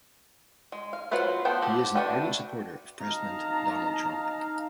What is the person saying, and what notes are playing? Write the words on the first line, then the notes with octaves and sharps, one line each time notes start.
He is an ardent supporter of president Donald Trump.
G#3
F5
F#3 F4 F#4 B4 C5
B3 A4 C5 G5
F#4 G4 A4
A3 D4 F#4 B4 G5
D#4 F5 A5 A#5